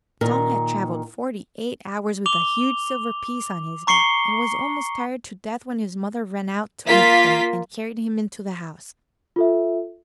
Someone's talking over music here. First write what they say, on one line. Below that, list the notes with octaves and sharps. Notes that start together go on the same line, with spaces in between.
Tom had traveled forty-eight hours with a huge silver-piece on his back, and was almost tired to death, when his mother ran out to meet him, and carried him into the house.
A#2 D#3 A#4
D6 F7 G7
A#5 C#6 C7 C#7 G7
A#3 F4 B6
F4 A4 E5